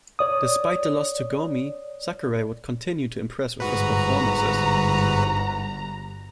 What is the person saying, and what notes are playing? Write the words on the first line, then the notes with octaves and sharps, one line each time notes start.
Despite the loss to Gomi, Sakurai would continue to impress with his performances.
C#5 D5 D#6
G1 G#2 F#4 B4 A#5